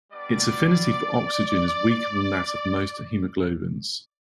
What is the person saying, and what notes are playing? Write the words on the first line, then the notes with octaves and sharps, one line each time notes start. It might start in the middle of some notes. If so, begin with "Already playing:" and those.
Its affinity for oxygen is weaker than that of most hemoglobins.
G3 B3 D4 D5